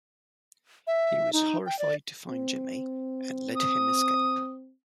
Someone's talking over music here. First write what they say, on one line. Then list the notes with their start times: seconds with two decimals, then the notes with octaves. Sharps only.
He was horrified to find Jimmy and let him escape.
0.87 E5
1.33 D#4
1.66 G5
1.79 D5
2.29 C4
3.56 D#6